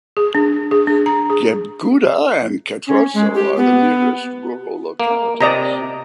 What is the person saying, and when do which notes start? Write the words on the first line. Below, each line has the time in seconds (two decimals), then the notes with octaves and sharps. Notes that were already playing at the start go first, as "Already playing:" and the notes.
Gebguda and Katroso are the nearest rural localities.
0.17 G#4
0.35 D4
0.71 G#4
0.87 D4
1.06 A#5
1.30 G#4
2.87 C#4
3.14 G#3
3.34 G4
3.57 B3
5.00 A#3
5.41 C3 D5 D#5 A#5